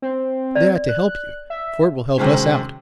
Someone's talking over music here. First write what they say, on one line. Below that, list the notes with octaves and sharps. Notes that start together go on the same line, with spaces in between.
They ought to help you, for it will help us out.
C4
D5
F#6
E5
C3 D#3 F#3 G#3 C4 C#4